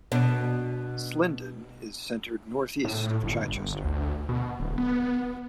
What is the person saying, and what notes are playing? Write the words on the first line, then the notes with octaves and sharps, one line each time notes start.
Slindon is centred north-east of Chichester.
B2 D4
A2
G1
G1
D2
B2
D1
B3